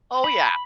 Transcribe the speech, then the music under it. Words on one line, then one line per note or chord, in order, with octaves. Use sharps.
Oh, yeah.
B5